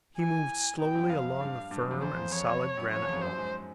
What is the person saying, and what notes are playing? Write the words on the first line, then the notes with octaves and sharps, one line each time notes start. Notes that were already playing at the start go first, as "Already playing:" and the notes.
He moved slowly along the firm and solid granite wall.
E3 G#5
B2 G5
F#2
F2 F5
G2
G2
F#2
F2
E2 C5
F2
F2 C#5
F2
F#2
F2 C#5
E2
F2
F#2 C5
G#2